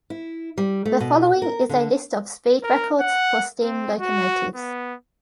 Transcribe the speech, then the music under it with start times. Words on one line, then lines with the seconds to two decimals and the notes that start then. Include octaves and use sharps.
The following is a list of speed records for steam locomotives.
0.10 E4
0.58 G3
0.85 A3
1.00 B2
1.42 A#4
1.69 D3
2.63 A#4
3.00 F#5
3.62 C4
3.98 F#4
4.55 B3